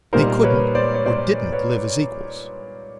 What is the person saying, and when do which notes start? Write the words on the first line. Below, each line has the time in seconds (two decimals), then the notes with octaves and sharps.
They couldn't or didn't live as equals.
0.13 A#2 G3 A#3 D#4 A#4 C5
0.44 B4 C#5
0.75 C5 D5
0.94 C#5
1.05 C5 D5
1.52 B4 C#5